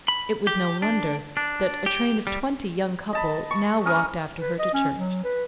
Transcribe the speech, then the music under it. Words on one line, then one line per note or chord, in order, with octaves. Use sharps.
It was no wonder that a train of twenty young couple now walked after her to church.
B5
G4
D4
D4
G4
G3
D#5 A5 B5
C#6
C#4 A#4 D#6
B4
D#5
C#4
F#3
B4